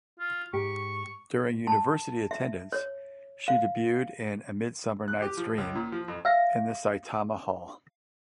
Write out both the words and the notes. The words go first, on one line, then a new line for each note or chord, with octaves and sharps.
During university attendance, she debuted in "A Midsummer Night's Dream" in the Saitama Hall.
F4
G#2 G4 C#6
A5
E5
C#5
F5
F#6
G4
F3
C#2
A#2
F3
F2
E5 F5 A#6